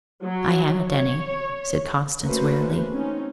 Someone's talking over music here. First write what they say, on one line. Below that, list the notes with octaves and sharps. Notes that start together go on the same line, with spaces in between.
"I haven't any," said Constance wearily.
F#3
C#5
A3 A#3 C#4 F#4 B4 C5
C4 C#4 D#4